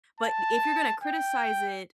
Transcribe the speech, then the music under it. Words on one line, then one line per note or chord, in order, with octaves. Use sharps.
but if you're gonna criticize it,
A5
G5